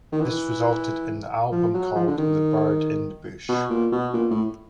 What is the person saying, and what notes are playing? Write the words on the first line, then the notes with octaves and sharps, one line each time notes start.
This resulted in the album called "The Bird in The Bush".
D#3
E3
F3
F#3
F3
D3
D#3
B2
A#2
B2
A#2
A2